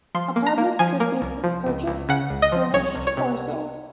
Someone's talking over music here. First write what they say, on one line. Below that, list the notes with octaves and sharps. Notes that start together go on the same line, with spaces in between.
Apartments could be purchased, furnished, or sold.
F3 C6
A#3
A#5
A#3
F3 G#5
A#3
C2
F3
C#2
C#2
C#3 F#5
C#2
D#5
F3
C2 C#5
C2
C#5
C3